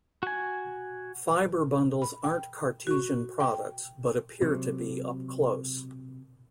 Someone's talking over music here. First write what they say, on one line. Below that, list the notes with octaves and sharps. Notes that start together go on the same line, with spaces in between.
Fibre bundles aren't cartesian products, but appear to be up close.
F#4 G#5
B5
G5
F#4 C#6
G5
C3 F#3